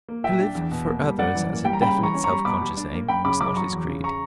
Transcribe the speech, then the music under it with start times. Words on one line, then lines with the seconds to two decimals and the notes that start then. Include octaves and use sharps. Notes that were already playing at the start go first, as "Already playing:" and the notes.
To live for others as a definite self-conscious aim was not his creed.
0.09 A#3
0.24 A#2 E5 G5
0.40 D4
0.55 E2
0.71 B2
0.87 A#3
1.03 G3
1.18 F#2 D5 F#5
1.35 E3
1.50 A#3
1.65 G3 G5
1.73 A#5
1.82 C#3 G5 B5
1.98 E3
2.03 A#5 C#6
2.14 C#4
2.24 A#5 C#6
2.30 G3
2.45 B2 B5 D6
2.61 G3
2.77 D4
2.93 A#3
3.08 F#2 G5 B5
3.25 C#3 B5 D6
3.40 F#2 B5 D6
3.56 F#3 A#5 C#6
3.72 E2
3.88 C#3
4.04 A#5 C#6